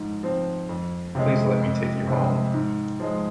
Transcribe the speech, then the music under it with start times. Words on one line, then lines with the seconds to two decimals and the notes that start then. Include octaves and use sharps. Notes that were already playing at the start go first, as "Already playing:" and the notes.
Please let me take you home?
Already playing: G#2 F3
0.23 F3 C4
0.69 F2
1.15 C3 F3 G#3
1.61 F2
2.07 C3 F3 G#3
2.54 G#2
3.00 F3 G#3